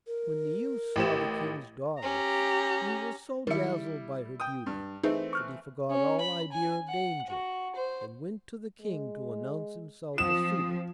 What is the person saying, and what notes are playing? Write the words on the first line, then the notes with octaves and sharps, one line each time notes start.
When the youth saw the King's daughter, he was so dazzled by her beauty, that he forgot all idea of danger, and went to the King to announce himself a suitor.
A#4
A1 G4 E7
C#4 G4 A#5
D#3 G3 E4 C#7
G5 D#6
G2
E3 A3 C4 D#4 G#4
C#6 F6 F#6
C#4
B5
G#5
F#5
F#4
C5
G#3
F3 C4 D#6 E7